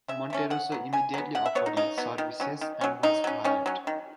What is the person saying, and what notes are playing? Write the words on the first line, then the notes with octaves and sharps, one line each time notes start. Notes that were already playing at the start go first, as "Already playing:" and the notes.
Monterosso immediately offered his services and was hired.
C#3 E5
E3 A3 C#4
C#3 F#5
F#3 B3
C#3 G#5
F#3 B3
C#3 F#5
E5
F#3 B3 C#5
D#4
C#3 D#4
F#3 B3
D#3
F#3 C#4
D#3
F#3 C#4
D#3 D#4
F#3 C#4
D#3 C#4
F#3 C#4
D#3